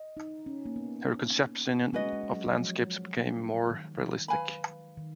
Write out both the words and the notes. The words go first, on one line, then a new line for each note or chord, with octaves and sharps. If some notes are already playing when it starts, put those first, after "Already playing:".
Her conception of landscapes became more realistic.
Already playing: D#5
D#4
C#4
A#3
B3
G#3 C#4 F#4 B4 D#5
G#3
G#3
F#3
F#3
F3
D#3
B4 F5 G#5 B5
D#3